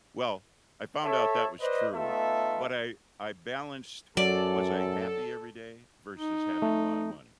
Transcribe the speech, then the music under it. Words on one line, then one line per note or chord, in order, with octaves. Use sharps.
Well, I found out that was true, but I I balanced, "Was I happy every day?" versus having a lot of money,
A4 C#5 E5
B4 C5 D5 D#5
A3 B3 D#4 F4 A4 E5
F#2 F#3 A4 D5
D#4
A3